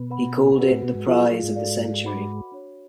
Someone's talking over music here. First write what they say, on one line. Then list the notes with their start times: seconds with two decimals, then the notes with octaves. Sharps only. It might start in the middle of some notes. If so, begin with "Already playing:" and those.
He called it 'the prize of the century'.
Already playing: B2 B3
0.10 B4 F#5 B5
0.59 F#4 B4 F#5
0.71 A2 A3
0.82 B2 B3
0.95 G#2 G#3
1.07 F3 F4 G#4 D5 F5
1.19 F#3
1.31 F#3
1.43 G#2 G#3
1.55 F#4 A4 D5 F5
2.04 F#4 B4 F#5 B5 D6
2.52 D4 F#4 C#5